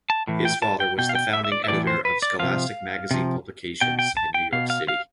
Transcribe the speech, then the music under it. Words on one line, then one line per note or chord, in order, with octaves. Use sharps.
His father was the founding editor of Scholastic Magazine Publications in New York City.
A5
A2 E3
G5
A5
G5
B2 G5
F5
G5
E5
E5
D5
E5
A2 E3 D5
C5
B4
D5
C3 F3 F5
C3 F3
B2 G5
G5
A5
G5
B2 F5
F5
F5